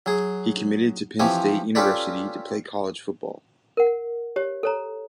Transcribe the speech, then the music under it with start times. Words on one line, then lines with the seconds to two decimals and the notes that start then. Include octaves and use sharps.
He committed to Penn State University to play college football.
0.06 F#3 G#4
1.19 E3 F3 C4 G4 C#5 G#5
1.75 C#4 F4 G4 A4 B4 D5
3.77 A#4 F#5
4.36 G4 C#5
4.63 A4 C#5 A#5